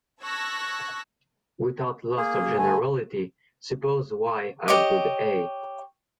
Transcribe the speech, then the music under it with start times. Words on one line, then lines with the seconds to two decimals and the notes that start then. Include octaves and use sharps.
Without loss of generality, suppose Y has good A.
0.21 A5 C#6 E6 F#6 G#6 A#6
2.17 A#3 G#4
2.57 D3 A3 G#5
4.68 G4 C#5 D#5 D6